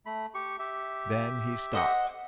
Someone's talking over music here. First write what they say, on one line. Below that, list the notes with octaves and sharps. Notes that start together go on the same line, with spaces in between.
Then he stopped.
A3 B5
G4 C#6
G4 E5
C5 D#5 F#5